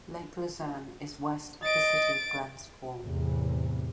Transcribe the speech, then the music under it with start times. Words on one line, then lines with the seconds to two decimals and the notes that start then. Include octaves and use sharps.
Lake Luzerne is west of the city of Glens Falls.
1.63 D#5 A6 D7
3.01 E2 A2 C3